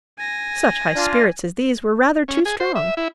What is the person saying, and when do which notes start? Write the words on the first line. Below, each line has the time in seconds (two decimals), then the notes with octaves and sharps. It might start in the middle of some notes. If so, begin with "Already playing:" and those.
Such high spirits as these were rather too strong.
0.18 G#5 A#6
0.96 D4 F4
2.28 C#4
2.45 G#4
2.60 C5
2.75 E5
2.97 E4